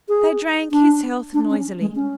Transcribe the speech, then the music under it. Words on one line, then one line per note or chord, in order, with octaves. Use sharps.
They drank his health noisily.
G#4
D4
D4
C#4
G#3
C#4